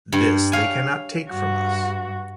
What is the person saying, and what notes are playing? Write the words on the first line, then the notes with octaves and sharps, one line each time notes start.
This they cannot take from us.
G2
C#5 F5 G#5
G2 F#4